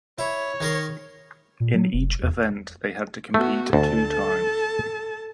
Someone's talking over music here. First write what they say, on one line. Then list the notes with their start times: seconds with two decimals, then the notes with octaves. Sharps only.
In each event they had to compete two times.
0.19 E4 C#5
0.61 D#3 A#4 C6
1.60 A#2
1.74 F#3
1.93 F1
2.23 E2
3.34 A3 B3 F#4
3.73 D2 A4 A5